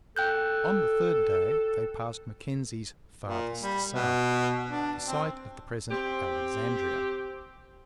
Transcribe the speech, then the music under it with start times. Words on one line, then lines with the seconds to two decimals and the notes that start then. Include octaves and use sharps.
On the third day they passed Mackenzie's farthest south--the site of the present Alexandria.
0.16 A4 G5 F#6 G6
3.24 A#2
3.63 G3
3.95 B2
4.70 D4
5.06 C4
5.91 C4 G4